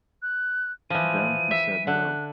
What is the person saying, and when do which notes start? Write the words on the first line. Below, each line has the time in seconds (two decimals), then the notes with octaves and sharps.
Then he said no.
0.22 F#6
0.90 E3 F3 D#7
1.51 E5
1.87 D3 F#6